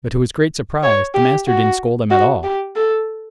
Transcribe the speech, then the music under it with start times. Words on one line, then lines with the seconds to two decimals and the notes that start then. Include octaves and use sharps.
But to his great surprise the master didn't scold at all.
0.83 C#5
1.14 G4
1.47 F#4
2.10 F#4
2.43 G4
2.75 A4